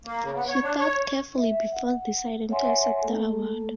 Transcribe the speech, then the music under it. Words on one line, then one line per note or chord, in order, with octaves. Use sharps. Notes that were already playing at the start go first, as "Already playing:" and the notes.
She thought carefully before deciding to accept the award.
A#3
C#3
B3
C#5
D4
C#5
E5
F#5
C#5 E5 F#5 G#5 C6
A3 A#3 A4